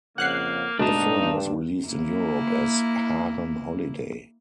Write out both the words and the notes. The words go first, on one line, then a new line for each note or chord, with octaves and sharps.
The film was released in Europe as "Harem Holiday".
F2 C#3 A#3 F#5 F#6 C7
G2 B2 G#3 A3 D4 D#4 A5
A#3 E4